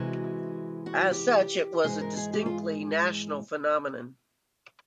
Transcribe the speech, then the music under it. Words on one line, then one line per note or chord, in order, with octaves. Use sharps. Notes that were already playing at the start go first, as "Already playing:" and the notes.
As such it was a distinctly national phenomenon.
Already playing: C3 E3 G#3 F#4
F#4
G4
G#2 E3 G#3 G#4
A#4
G#4
G4
F4